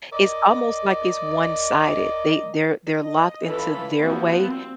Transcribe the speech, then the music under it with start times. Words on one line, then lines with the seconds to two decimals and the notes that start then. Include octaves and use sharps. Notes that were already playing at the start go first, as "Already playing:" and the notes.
It's almost like it's one-sided. They they're they're locked into their way
0.12 A#4 D5 D#5
3.00 D#5
3.43 E3 C#4 F4 A4 B5
4.00 F3 G3 A#3 C4 E4 F#4
4.41 C4